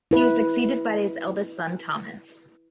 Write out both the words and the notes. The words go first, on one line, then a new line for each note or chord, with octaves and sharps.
He was succeeded by his eldest son Thomas.
E4 B4